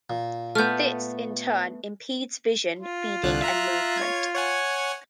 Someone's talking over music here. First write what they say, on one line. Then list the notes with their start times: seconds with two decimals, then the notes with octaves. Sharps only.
This, in turn, impedes vision, feeding, and movement.
0.10 A#2
0.55 A3 B3 F6 G6
2.79 F4
3.23 C2 D3 F#6
3.42 E5 A#5 F#6
3.97 C#5 G#6
4.35 C#5 F#5 G#5